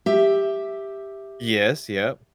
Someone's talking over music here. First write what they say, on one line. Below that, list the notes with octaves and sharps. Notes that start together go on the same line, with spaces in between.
Yes, yep.
G4 E5